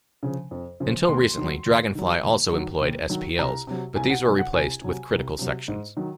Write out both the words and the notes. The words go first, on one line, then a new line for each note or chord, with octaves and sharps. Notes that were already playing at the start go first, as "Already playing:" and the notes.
Until recently, DragonFly also employed spls, but these were replaced with critical sections.
C#3 F3
F2
C#3 F3
D#2 C6
D#3 F#3
D#2
D#3 F#3
D#2
D#3 F#3
D#2
D#3 F#3
C2 A#5
C3 F#3
C2 G#5
F#5
C3 F#3 G#5
F#5
C2 G#5
C3 F#3
C2
C3 F#3
G#2
D#3 F#3